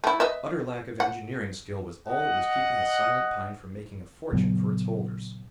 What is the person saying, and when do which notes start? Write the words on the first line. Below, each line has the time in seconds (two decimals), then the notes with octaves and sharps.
Utter lack of engineering skill was all that was keeping the Silent Pine from making a fortune for its holders.
0.04 A3 E4
0.20 B4 D#5 E5
1.00 F#5
2.08 D#5 F#5
4.33 A#2 C#3 F#3 B3